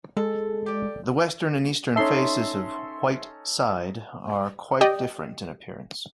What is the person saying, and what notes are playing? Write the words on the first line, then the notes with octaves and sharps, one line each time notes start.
The western and eastern faces of White Side are quite different in appearance.
G#3 A4
G4 D5
C#4 D#4 A4 E5 C6
G4 D5 D#5 G5